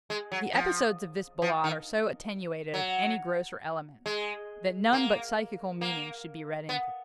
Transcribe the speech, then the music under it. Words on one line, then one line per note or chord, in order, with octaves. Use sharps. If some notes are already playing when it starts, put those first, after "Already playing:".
The episodes of this Ballade are so attenuated of any grosser elements that none but psychical meanings should be read into them.
G#3
F#3
F3
F3
D#3
F#3
G#3
A#3
A#3
B3